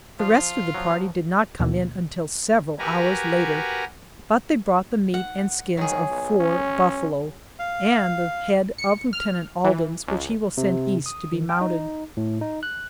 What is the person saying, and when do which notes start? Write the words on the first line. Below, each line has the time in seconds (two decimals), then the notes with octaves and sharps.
The rest of the party did not come in until several hours later; but they brought the meat and skins of four buffalo, and the head of Lieutenant Alden's, which he will send East to be mounted.
0.20 F3 F4 F5
0.74 F3 F#3
1.59 D#2 B2
2.79 F#4 G4 A#4 B4 G#5 A#5
5.14 F#5
5.77 D#3 F#3 G#4
6.08 B1
6.40 C#4
7.59 F5
8.78 C#7
9.13 F6
9.64 E3
10.08 C#2
10.58 C3
11.06 D#6
11.32 D#3
11.49 G5
11.61 D#4
12.17 A2
12.41 D#4
12.63 F#6